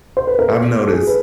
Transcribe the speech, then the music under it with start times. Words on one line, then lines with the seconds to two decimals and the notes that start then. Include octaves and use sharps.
I've noticed
0.17 C5
0.27 B4
0.39 A#4
0.50 A4
0.87 A4
0.91 G#4
1.07 B4